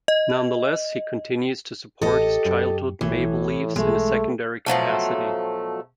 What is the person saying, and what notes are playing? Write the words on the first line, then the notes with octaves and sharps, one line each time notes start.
Nonetheless, he continues to support his childhood Maple Leafs in a secondary capacity.
D#5
A1 G4 A4 D#5
F#2
B1 A2 E3
B1 G#3 A3
B2 F3 F#3 A3